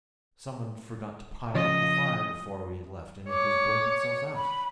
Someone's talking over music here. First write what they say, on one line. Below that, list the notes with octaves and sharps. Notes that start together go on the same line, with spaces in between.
Someone forgot to pile up the fire before we left and it has burnt itself out!
C#3 F3 D#5
C#5 D6
B5